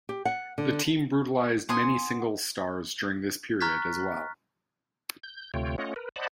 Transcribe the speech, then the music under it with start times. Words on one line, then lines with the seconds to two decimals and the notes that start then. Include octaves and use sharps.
The team brutalized many singles stars during this period as well.
0.09 G4
0.25 F#5
0.58 D3
1.69 F#5 G#5 C6 D#6
3.61 A#5 C#6 F6 F#6 A6 B6
5.23 G6
5.54 D2 C3 A3 F4 C#5 G5
5.78 A3 C#4 F4 C#5 D#5 F#5
5.96 A#4 B4
6.16 C5 D5 D#5 F#5 A5 B5